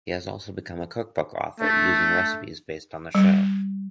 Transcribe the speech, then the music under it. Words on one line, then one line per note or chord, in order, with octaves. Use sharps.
He has also become a cookbook author, using recipes based on the show.
A3 D4
G3